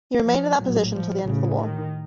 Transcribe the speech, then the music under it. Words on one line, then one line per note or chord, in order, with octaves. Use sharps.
He remained in that position until the end of the war.
F3
A#1 A2 F#3
F3
A1 A2 C#3
D#3